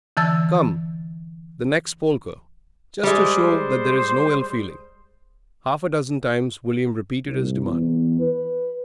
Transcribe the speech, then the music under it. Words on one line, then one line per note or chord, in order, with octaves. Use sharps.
"Come, the next polka, just to show there is no ill-feeling." Half a dozen times William repeated his demand.
D3 E3 A5 E6 A6
G3 G#3 C5
C2
E2
B4